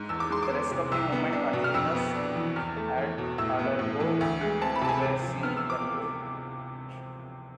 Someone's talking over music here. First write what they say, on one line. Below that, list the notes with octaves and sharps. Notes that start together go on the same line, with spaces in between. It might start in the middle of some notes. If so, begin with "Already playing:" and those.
The rest of the movement continues at allegro vivace tempo.
Already playing: G#2
E2 E6
D6
G#3 C6
D6
B3
C3
C2 E6
B3
D4
B2
F6
F2 E6
B3
D4
E3
E2 F6
A3
E2
B2
A2 E6
B3
A2
E3
D2
G#3
C4 A5
B5
C3 A5
G#5
G#1
F3
B3 F6
E6
D6